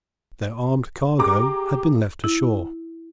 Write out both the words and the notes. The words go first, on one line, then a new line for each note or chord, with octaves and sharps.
Their armed cargo had been left ashore.
G4 G#4 A#5 D6
E4